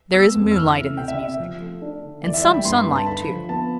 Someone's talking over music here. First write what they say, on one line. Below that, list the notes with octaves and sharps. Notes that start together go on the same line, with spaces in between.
There is moonlight in this music, and some sunlight, too.
B3 E6
F2
E6
E3 F6
A3
C3 G5
E5
C3 E5
F3
A3
D4
D3
E3 D5
E5
G3 G5
B5
G2 C6
G2
A5
D3 B5
F3
B3 A5